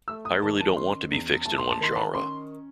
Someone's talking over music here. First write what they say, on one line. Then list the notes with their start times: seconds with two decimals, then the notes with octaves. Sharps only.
I really don't want to be fixed in one genre.
0.08 A3 E6
0.25 D#6
0.42 D#3 A5
0.60 A5
0.77 C#4 C6
1.12 E2
1.46 A3 A5
1.58 C6
1.71 A5
1.81 D#3 C6
1.96 A5
2.15 C#4 C6